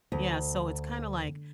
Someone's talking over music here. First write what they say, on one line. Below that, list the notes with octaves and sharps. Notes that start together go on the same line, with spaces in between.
Yeah, so it's kinda like
D2